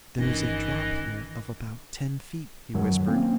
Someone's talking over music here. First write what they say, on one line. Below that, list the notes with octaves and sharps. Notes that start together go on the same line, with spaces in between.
"There is a drop here of about ten feet," he whispered.
G1 D#3 E3 C#4 D#5
F#2 D#3 F#3
A#3 C4 C#4